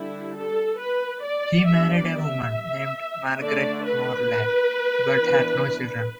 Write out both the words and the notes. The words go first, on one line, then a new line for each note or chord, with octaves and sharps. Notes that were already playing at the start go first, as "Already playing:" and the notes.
He married a woman named Margaret Morlay, but had no children.
Already playing: D3 G3 D4 E4
A4
B4
D5
G3 B3 D4 E5
D5
E5
D3 A3 D4 D5
B4
E3 B3 D4